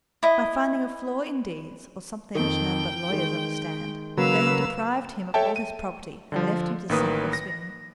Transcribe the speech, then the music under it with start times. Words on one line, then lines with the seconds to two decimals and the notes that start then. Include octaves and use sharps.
By finding a flaw in deeds, or something which none but lawyers understand, they had deprived him of all his property and left him to sink or swim.
0.23 E4 D#5
2.35 F2 D#3 G5
3.10 D#3 G#3
4.18 C#3 F#3 A#3 B4 F5 E6
5.34 A4 C#5 E5 G5 A5
5.56 D#7
6.32 D3 F3
6.89 A1 D#3 A#3 B4 D#6
7.33 A#6